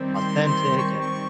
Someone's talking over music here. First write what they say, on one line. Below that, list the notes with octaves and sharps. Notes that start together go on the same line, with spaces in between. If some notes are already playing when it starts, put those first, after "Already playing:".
authentic and
Already playing: D#3 G3 C4
C6
C6
C#6
C#6